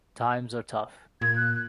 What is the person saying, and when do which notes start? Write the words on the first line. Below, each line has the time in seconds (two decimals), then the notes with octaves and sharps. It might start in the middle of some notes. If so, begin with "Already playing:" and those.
Times are tough.
1.21 A#2 G#6
1.36 F#6